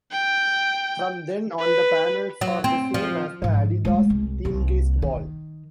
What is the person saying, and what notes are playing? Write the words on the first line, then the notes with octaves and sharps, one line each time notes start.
From then on the panels are the same as the Adidas Teamgeist ball.
G5
B4
F#3
C4
F3
G#2 F3
G#3 A3
C2
C2 A#3
D#3